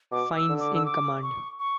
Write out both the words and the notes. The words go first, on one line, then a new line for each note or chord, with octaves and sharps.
Fines in command.
B2 D6
E6
D3
D6
E6
D6
C#6
C#6